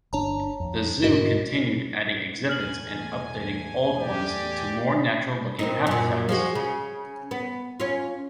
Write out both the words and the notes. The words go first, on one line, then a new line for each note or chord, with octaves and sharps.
The zoo continued adding exhibits and updating old ones to more natural-looking habitats.
G1 D4 C#5 A5 A#5
F2
D2 G#2 D4 F#4 A#4 D#5
E2 A2 G#5 F6 F#7
G4 D5
A#2 C4 D#4
F#2 A#2
F3 G#3 F#4
C#3
B3
C#4 F4